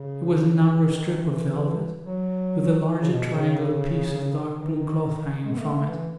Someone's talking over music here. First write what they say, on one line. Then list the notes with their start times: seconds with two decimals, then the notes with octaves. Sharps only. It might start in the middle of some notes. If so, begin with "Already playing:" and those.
It was a narrow strip of velvet with a larger triangular piece of dark blue cloth hanging from it.
Already playing: C#3
0.78 D#3
1.20 E3
2.06 F#3
2.90 E3
3.01 C#3
3.12 B2
3.22 B2
3.33 C#3
4.61 D#3
4.67 E3
4.76 D#3
5.45 G#3
5.54 B3
5.60 A3
5.74 A3
5.88 E3